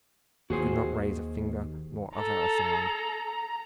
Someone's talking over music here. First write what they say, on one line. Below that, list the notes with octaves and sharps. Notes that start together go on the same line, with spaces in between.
He could not raise a finger nor utter a sound.
D#2 D#3 F#4 G#4 C5
A4 A#5